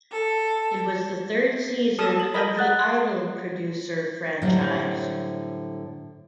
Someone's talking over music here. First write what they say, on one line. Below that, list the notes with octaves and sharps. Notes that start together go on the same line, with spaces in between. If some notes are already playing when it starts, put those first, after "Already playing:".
It was the third season of the "Idol Producer" franchise.
A4
A4 A5 D#6 F6
F#7
A#4 D#5 B5
F#5 F#6 A6
A2 D3 F#3 G3 C5 F#5